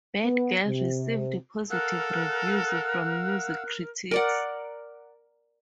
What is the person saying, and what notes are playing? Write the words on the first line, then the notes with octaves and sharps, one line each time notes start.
"Bad Girl" received positive reviews from music critics.
B3
C3
A4 A#4 F5 F#5 E6 F#6
A#4 D5 F#5